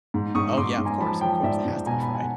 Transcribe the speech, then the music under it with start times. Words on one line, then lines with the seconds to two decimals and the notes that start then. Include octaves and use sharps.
Oh, yeah. Of course, of course, it has to be fried.
0.14 G#2
0.35 G#2 C#6 D#6
0.57 G#2 C6 D6
0.78 G#2
0.85 G#5 A#5
1.00 F3 A5 B5
1.21 F3 G5 A5
1.43 G#2 D5 E5
1.65 G#2
1.86 B2 G#5 A#5
2.00 A5 B5
2.08 B2
2.15 F#5 G#5